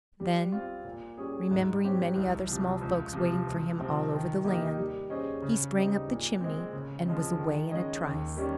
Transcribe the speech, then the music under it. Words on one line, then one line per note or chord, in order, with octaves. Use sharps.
Then, remembering many other small folks waiting for him all over the land, he sprang up the chimney and was away in a trice.
G3
C4 F4
A#2
G3 C#4 G#4
G#2
G3 C4 G4 C#5
C2
C3 F3
C#2
C3 F3
C#2
C3 F3 C4
D#3
A#3 D#4 G4
G3
C#4 G#4 C5 D#5
C#3
G3 C4 D#4
A#2
G#3 C4
C#3
F3 G#3 C4
D#3
G#3 C#4 G#4 D#5
D#2
D#3 G3 C#4